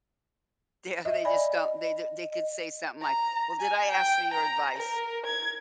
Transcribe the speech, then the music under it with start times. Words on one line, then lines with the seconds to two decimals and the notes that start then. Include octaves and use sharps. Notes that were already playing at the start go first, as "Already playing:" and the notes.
they, uh they just don't they do they could say something like, "Well, did I ask for your advice?"
1.05 D#5 E5
1.25 D5 D#5 G#5 B5
3.02 A#5
3.60 G#5
3.90 G5
4.34 A#5
4.78 A#4
5.26 G#6